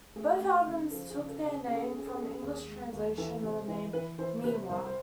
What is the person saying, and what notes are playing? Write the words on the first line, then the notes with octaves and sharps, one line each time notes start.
Both albums took their name from the English translation of the name Miwa.
A3 G#4
A3
C#3
F3 A4
G#4
C#3
A4
C#3
G#4
C#4 G#4
A4
G#4
C#4 A4
G#4
A4
C#4 G#4
A4
G#4
D#2 G#4
G#3
D#2
E3 A4
C3
E3
E3 B4
E3 C5
C3 B4
C2 C5
C5